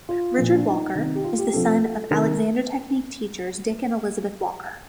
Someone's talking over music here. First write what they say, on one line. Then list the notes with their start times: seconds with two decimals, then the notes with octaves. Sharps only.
Richard Walker is the son of Alexander Technique teachers Dick and Elisabeth Walker.
0.09 F4
0.38 A#2 F3
0.52 D4
0.67 D#4
0.95 C3 D#3
1.15 G4
1.24 F4
1.39 G4
1.53 C3 F3 A4
2.11 C3 D#3 A#4